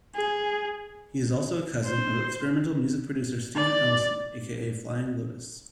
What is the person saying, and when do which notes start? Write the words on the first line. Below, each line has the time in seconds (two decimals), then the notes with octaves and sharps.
He is also a cousin of experimental music producer Steven Ellison, aka Flying Lotus.
0.15 G#4
1.85 C5
3.56 D5